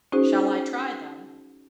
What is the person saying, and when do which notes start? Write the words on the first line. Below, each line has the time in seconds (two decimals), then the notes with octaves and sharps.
Shall I try them?
0.12 C#4 D#4 F#4 G#4 C5